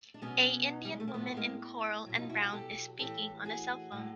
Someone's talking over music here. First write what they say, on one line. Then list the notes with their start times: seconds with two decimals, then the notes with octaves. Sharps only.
A Indian woman in coral and brown is speaking on a cellphone.
0.14 D4
0.22 B2 F#3 B3 C#4
0.85 G3
0.92 G#3
1.00 A3
1.08 A#3
1.14 A2 F3 A3 B3
1.27 B3
1.37 G#3 A#3
2.06 B2 F#3
2.15 F#4
2.18 D#4 F4
2.29 E4 F#4
2.41 F#4 G#4
2.52 G4 A4
2.98 A2 E3 G4 A4
3.44 F#4 G#4
3.92 A2 F#3